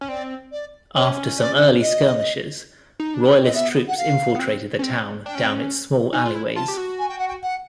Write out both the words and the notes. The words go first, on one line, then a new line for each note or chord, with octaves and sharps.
After some early skirmishes, Royalist troops infiltrated the town down its small alleyways.
C#4
C4 D5
D5
C#4 C#5
D5
D#5
D#4
D4
C#4
C4 D#5
B3 E5
F#5
F5
B3
C4
C#4
C4
D4 G5
C#4
C4
C#4
D#4 G#5
F4
E4
F4 A5
G4
F#4
G#5
G5
F#5
G5
F#5